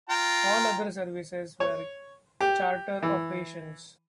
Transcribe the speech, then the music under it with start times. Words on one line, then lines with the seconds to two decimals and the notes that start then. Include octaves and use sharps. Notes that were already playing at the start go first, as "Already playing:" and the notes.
All other services were charter operations.
0.10 F4 G5 A#5
1.60 C#5
2.41 G4
3.03 E3